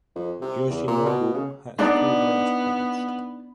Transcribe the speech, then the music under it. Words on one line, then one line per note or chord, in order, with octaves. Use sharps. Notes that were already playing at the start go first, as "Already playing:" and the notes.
Yoshinobu has two launch pads.
F2
C3
E2
A#2
B2
C#3
B3 D4 D#4 D5